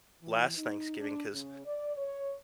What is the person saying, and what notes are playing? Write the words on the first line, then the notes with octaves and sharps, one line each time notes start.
last Thanksgiving, 'cause
E3
D#4
D4
C#3
D5
C#5